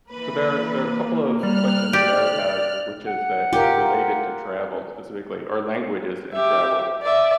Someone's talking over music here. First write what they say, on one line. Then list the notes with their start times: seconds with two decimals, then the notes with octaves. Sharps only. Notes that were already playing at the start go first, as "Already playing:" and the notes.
So, there there are a couple of questions that I would have, which is that, related to travel specifically, or languages and travel-
0.11 E3 A#3 B4
1.43 G3 F6 F#6
1.93 G4 D5
3.07 F#5
3.53 F4 G4 A#4
6.32 G4 E5
7.03 D5 E5